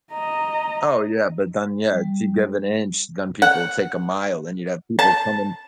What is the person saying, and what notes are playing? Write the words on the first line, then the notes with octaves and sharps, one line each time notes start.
Oh, yeah, but then yeah, if you give an inch, then people take a mile, then you'd have people come and
D#5 A#5
G3
F#5
A5